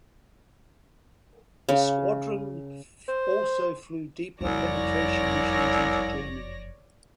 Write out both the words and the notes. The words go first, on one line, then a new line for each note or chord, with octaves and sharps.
The squadron also flew deeper penetration missions into Germany.
C#3
C5
F#1 C2 F2 C#5 D5 A#6